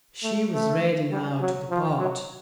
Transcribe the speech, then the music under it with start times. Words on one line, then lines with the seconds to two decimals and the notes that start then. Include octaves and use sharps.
She was ready now to depart.
0.23 A3
0.53 A3
1.11 G3
1.41 F#3
1.70 F3
1.99 F#3